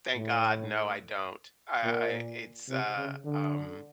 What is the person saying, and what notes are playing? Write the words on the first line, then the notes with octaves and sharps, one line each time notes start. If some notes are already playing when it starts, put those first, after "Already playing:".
Thank god, no, I don't. I I it's, uh, um
A2
A#2
C3
C#3
D3